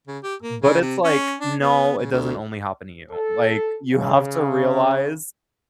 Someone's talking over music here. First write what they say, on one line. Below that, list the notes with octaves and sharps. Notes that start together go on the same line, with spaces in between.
But, it's like, "No, it doesn't only happen to you," like, you have to realize
C#3
G4
A#3
C#3
C3
C#4
D4
B3
C#3
D2
A4
C#3